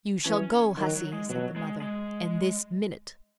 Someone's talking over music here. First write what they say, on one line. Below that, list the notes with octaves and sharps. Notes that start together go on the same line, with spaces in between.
"You shall go, hussey," said the mother, "and this minute."
E3 C#4
D#3 F#3
F#3
G#3
B2 F#3
G#3
G#3